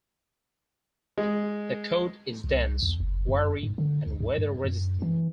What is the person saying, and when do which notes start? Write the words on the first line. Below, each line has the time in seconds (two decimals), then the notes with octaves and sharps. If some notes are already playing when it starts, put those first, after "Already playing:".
The coat is dense, wiry, and weather resistant.
1.18 G#3
2.44 C2
2.82 E2
3.00 F#1
3.29 F#2
3.63 G#2
3.78 D3
4.07 C#2
4.20 G2
4.38 G2
4.64 F#2
5.02 E3